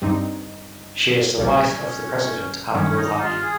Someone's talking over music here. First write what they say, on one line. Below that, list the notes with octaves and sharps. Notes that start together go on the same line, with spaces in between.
She is the wife of the President Abdul Hamid.
G2 G3 C4 D#4
A#1 A#2 G3 C#4
G2 D#3 G3 C#4
C#4
D#4
F4
G#4